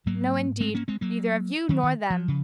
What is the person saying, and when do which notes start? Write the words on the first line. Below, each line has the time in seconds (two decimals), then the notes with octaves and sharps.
No, indeed, neither of you nor them.
0.06 G#2 F#3 A#3
0.60 G#3 C4
0.74 A#3 C#4
0.88 G#3 C4
1.01 F#3 A#3
1.69 D#3 F#3
1.83 D#3
2.10 F3
2.28 C#3